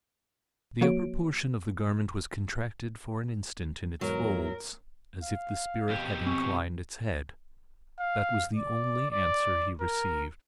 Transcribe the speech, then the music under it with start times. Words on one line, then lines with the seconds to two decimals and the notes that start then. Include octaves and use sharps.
The upper portion of the garment was contracted for an instant in its folds, as if the Spirit had inclined its head. That was the only answer he received.
0.81 F3 A#3 F#4 C#5 D7
4.01 E2 G#2 F#3 A#4
5.23 F5
5.89 F2 B2 G4
6.26 C4 C#6
8.00 F5
8.55 D5
9.11 D5
9.80 A#4